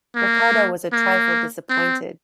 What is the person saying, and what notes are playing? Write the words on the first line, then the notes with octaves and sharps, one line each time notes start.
Ricardo was a trifle disappointed.
A#3
A#3
C4